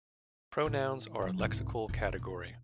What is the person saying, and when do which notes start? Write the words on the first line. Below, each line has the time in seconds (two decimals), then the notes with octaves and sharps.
Pronouns are a "lexical category".
0.66 A2
1.22 F#3
1.39 C2 G#2
1.89 E1 B2
2.18 E1